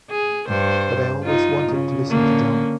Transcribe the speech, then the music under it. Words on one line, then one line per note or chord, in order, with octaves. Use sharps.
But I always wanted to listen to John.
G#4
G2 C5
D#4 F4
C#3
D3 A#3 C#4